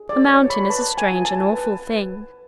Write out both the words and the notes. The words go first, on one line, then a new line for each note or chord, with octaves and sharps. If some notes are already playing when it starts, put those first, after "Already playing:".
A mountain is a strange and awful thing.
Already playing: G#4
D5
F4 C#5
B5
B4 A5
G#5
F4
A5
B4
B4